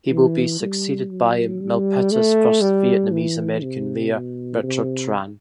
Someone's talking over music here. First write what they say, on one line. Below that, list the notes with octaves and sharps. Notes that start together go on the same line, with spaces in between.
He will be succeeded by Milpitas' first Vietnamese American mayor Richard Tran.
E3
G3
F#3
G3
A3
G3
E3
C3
B2
C3